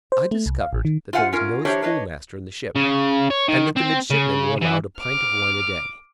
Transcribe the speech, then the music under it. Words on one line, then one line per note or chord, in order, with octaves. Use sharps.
I discovered that there was no schoolmaster in the ship, and that the midshipmen were allowed a pint of wine a day.
C5
A3
C2
F5
A1
D#3
F4 C5 F5 F#5 G#5
C#4 F4 A#4
E3 D4 G4 A#4 C5 C#5
D4 B4 C#5 D#5
C#3
C#5
D#3
C4
C#3
E3
D6 F6